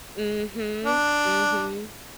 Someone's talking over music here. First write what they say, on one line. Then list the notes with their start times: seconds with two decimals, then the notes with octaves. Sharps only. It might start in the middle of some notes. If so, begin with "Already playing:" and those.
Mhm. Mhm.
0.85 D4